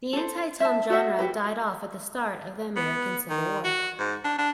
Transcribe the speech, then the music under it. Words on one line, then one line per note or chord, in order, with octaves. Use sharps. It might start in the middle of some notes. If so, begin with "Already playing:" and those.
The anti-Tom genre died off with the start of the American Civil War.
A4 C5
E5 A5
F#4 D#5 E5 F#5
F#4 G4 B4
B3
D#3
F#4
G#2
D4
D4